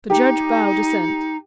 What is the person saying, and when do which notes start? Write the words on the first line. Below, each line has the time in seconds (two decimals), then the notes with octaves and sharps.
The Judge bowed assent.
0.10 D#4 G4